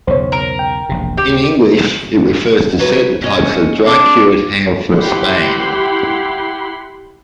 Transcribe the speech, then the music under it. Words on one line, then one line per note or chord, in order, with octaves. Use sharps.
In English it refers to certain types of dry-cured ham from Spain.
B1 E2 C#3 C5 C#5
A#4
G5
E1 A#1 C3
D2 G4
F#3 B4
C#4 D#5
C4 D4 G#4
E4 G4 F#5 B5 C6